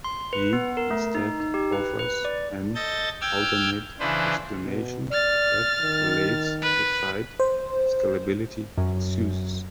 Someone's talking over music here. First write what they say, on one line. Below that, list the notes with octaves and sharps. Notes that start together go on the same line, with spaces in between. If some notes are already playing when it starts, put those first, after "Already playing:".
He instead offers an alternate explanation that relates to site scalability issues.
C6
B4
B3
A#4
A3
D#4
D#4
G4
B4
B4
D5
A4 D#5 G6 A6
G5 D6 E6 F6 G6 G#6
C#3 E3 D4 B4 C5
B2
D5 F6 A6
D#3
B4
C5
F#2